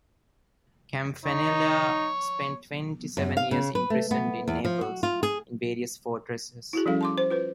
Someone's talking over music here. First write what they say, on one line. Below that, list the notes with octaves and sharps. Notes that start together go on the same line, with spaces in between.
Campanella spent twenty-seven years imprisoned in Naples, in various fortresses.
D#4 C#5
F#2
F5
C#3
B4
A3
B3
E2
F3
F#4
F4
G#4
E4 F#4 G#4
F3 G3 C#4 A4 F5
A5 C6 D6
C5
F4 B4 C5